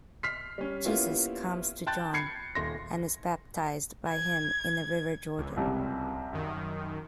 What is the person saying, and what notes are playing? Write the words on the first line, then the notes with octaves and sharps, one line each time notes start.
Jesus comes to John, and is baptized by him in the river Jordan.
F6 B6 C7
G3 C#4
A#3 B3 C#4 E4 F4 G4
G5 A5 F#6 G6 A6
B5 G#6 C7 C#7
D#1 C6 A#6
G#6
C#2
C2 C3 G3
F#2 D#3